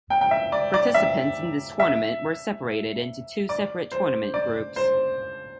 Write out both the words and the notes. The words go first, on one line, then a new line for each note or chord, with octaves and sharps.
Participants in this tournament were separated into two separate tournament groups.
G5
G5
E5
D5
D5
E5
E5
D5
C5
D5
C5